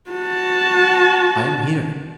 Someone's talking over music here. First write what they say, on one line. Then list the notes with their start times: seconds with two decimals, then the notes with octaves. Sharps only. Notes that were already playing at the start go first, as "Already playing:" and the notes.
I am here.'
0.10 F#4 A5